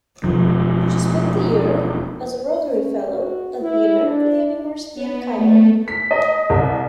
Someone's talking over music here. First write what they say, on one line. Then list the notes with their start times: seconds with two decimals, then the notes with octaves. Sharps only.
She spent a year as a Rotary Fellow at the American University in Cairo.
0.24 E1 A#1 F3
2.71 C#4
3.12 F#4
3.62 E4
4.03 D4
4.94 B3
5.35 A3
5.88 B6
6.11 D#5
6.50 C2